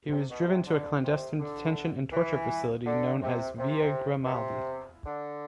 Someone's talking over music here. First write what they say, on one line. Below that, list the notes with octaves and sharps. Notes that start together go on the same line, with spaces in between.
He was driven to a clandestine detention and torture facility known as Villa Grimaldi.
C3
B2
C3
D3
C3
D3
E3
D3
C3
C3
B2
C3
D3